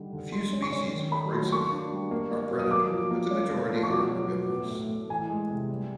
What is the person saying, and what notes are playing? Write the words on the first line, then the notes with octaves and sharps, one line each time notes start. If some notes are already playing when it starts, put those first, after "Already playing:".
A few species of Corixidae are predatory, but the majority are herbivorous.
Already playing: D3 G3 D#4
D3
G#3 C6
C#4
C#6
C#4
D#3
A3 B5
F#3 C6
C6
A#3 C#6
D4
G3
A#3
A#3
F#3
D#6
A#3 D6
F3
A#3
C#4
A3
F3
C6
C#6
B2 D6
F#3
B3
A2
A2
A2
E3 G#5
G#3
C3
G3